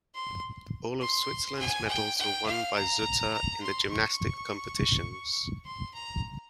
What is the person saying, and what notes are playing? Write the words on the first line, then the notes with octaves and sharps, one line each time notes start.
All of Switzerland's medals were won by Zutter in the gymnastics competitions.
C6
C6
G#5
G5
G5
F5
A#5
A#5
C6
C#6
C6
A#5